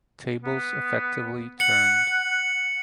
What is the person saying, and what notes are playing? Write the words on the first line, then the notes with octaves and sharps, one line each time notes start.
Tables effectively turned.
B3
F#5 C#7 F#7